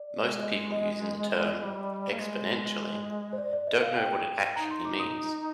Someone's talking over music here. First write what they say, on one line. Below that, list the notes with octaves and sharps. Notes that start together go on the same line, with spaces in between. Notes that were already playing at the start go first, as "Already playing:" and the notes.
Most people using the term "exponentially" don't know what it actually means.
Already playing: D5
G#3
D#5
D#5
G3 D#5
A#3
G#3
C5
D5
D5
D#5
F5
G5
D#4 A#5
C6
D6
D#6